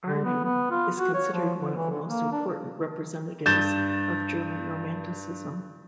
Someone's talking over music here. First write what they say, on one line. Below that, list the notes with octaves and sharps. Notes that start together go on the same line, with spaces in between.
Arnim is considered one of the most important representatives of German Romanticism.
D3
B3
B3
F4
F#4
C#5
F3
D3
E3
D3
A#3
D4
G2 G6 A6 E7